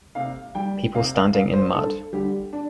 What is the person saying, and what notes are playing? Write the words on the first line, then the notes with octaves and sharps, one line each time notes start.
People standing in mud.
C3 F5
G3 G5
C3 F5
F5
G3 F5
C5
G2 A4
D3 G3 G4
D4